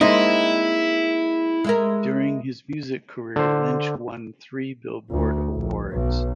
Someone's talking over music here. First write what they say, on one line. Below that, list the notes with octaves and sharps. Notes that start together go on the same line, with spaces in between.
During his music career, Lynch won three Billboard awards.
G#3 A#3 C4 D#4 E4
G#3 E4 A#4
D3 C5
D2
A#1
B1